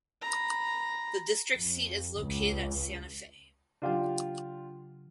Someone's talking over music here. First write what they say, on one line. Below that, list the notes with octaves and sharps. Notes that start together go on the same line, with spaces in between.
The district seat is located at Santa Fe.
A#5 B5
F2
C#2
C#3 F#3 D4 F4 G4